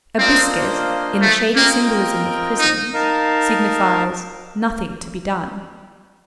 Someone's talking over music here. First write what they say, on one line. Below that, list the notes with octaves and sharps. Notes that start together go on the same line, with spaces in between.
A biscuit, in the shady symbolism of prisons, signifies: Nothing to be done.
A#3 C4 D4 F4 C5 D#5
A3
A#3 C4 F4 A#4 D#5 G5
D#4
D#4 A#4 F5 A5